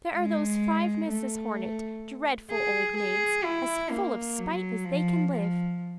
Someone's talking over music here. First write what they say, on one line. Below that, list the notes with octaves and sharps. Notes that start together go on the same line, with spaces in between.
There are those five Misses Hornet--dreadful old maids!--as full of spite as they can live.
G#3
A3
G#4
G#4
E4
A#3
F#3
F3
F3